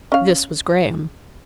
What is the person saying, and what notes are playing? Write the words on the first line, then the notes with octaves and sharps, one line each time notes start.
This was Graham.
C#4 F5